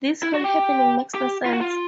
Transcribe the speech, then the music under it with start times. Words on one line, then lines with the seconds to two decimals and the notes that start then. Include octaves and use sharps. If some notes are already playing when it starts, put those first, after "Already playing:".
This whole happening makes no sense.
0.23 E4
0.34 F#4
0.44 G4
1.15 G4
1.45 F4
1.53 F#4
1.61 F4